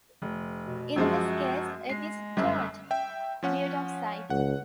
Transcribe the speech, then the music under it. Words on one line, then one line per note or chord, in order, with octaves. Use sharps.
In this case, it is "tert"-butoxide.
F1
B2
F#2 F3 G#3 F#4
G#3 C7
G1 F#2
E5 G5
F3 C#4 F#5
C#2 F#5